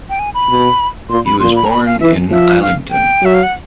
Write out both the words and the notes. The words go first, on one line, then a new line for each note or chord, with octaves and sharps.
He was born in Islington.
G5
G#5
B5
B2
A#2 C6
B5
A#2 C6
B5
A#5
B5
F5
E3 E5
F3 E5
F5
G5
F#3 E5
F5
F#5